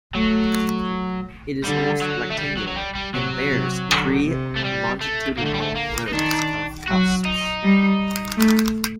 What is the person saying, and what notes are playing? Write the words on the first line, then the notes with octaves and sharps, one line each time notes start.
It is almost rectangular and bears three longitudinal rows of cusps.
F#3 A3
D3 G3
F#3
A3
G3
F#3
F#3
G3
G3
C3 F#3
C3
D3
C3
A3
G3
A3
D3 A#3
A3
G3
A3
A#3
D#4
D#3 D4
F#3 F#4
D#4
G3
A3